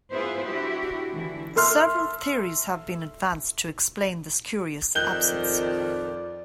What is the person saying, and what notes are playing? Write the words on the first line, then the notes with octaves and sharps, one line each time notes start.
Several theories have been advanced to explain this curious absence.
B3 E4 F4 G#4 B4 C5
D4 E4 F#4 G4
D3 E3 E4
A4 E5 C6 F6
F2 D#3 D5 F#6 G6 G7